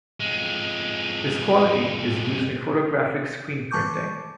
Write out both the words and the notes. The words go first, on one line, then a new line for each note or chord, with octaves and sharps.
This quality is used in photographic screen-printing.
F2 G#3
E3 A5 C#6 D6 G6